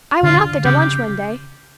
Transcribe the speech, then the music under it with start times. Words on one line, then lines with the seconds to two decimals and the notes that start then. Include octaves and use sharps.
I went out there to lunch one day.
0.23 D3 F4
0.65 C#3 G4